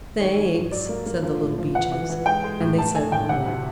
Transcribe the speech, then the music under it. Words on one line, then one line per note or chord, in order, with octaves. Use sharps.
"Thanks," said the Little Beeches, and they said no more.
D#3 C#5
D#3
G#2
F#3 D5
A#3
A#3
F3
A2
F3
E3 F#5
E3
E3
G#3 G5
G#3
A2
A2 A5
A3 G#5
A2 G5
C3 F#5
D2